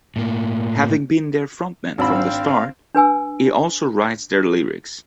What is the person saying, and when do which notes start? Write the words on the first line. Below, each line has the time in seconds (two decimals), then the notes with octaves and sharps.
Having been their frontman from the start, he also writes their lyrics.
0.16 A2 A#3
1.98 G#1 C4 D4 F5 B5 E6
2.95 D4 B4 G#5 E6